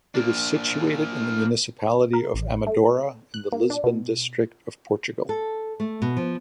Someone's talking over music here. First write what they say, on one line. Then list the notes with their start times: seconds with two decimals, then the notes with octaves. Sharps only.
It is situated in the municipality of Amadora in the Lisbon District of Portugal.
0.15 A#3 D4
2.13 A#4
2.34 A1
2.67 A3
3.34 F#6
3.53 A#3
3.70 D4
3.84 B2
5.29 A4
5.80 A3
6.02 B2
6.17 F3